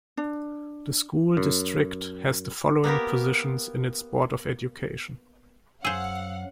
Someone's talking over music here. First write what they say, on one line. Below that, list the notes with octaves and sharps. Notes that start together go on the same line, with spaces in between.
The school district has the following positions in its Board of Education.
D4
F#2
A#3 B3 G4 A#4
F#2 F#3 G#4 C5 F5 F#5 E6